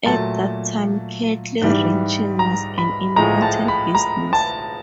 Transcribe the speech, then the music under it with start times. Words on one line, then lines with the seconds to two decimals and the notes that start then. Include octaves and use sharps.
At that time cattle ranching was an important business.
0.06 A#2 F#3 A3 A5
1.62 G#2 E3 G3
2.39 A#5
2.78 B5
3.16 A2 F3 G#3 A#5
3.42 A5
3.68 B5
3.95 A#5
4.33 A5